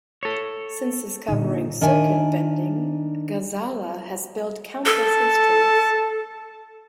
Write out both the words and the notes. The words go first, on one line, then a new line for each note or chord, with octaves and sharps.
Since discovering circuit bending, Ghazala has built countless instruments.
A4 C#5
A#2 D3 D#4
D#3 D4 E5 G#5
A4 A5